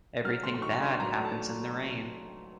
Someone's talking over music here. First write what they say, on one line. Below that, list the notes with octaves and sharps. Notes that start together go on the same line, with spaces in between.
Everything bad happens in the rain.
F#3 F6
A3 C6
C6
D#3 C#6
D4 C6
F#3 A#5
A3
A5